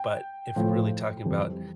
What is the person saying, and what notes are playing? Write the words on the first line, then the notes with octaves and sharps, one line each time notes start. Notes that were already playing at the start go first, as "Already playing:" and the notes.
but if you're really talking about
Already playing: G5
A2 F3 A3
F2 E3 G3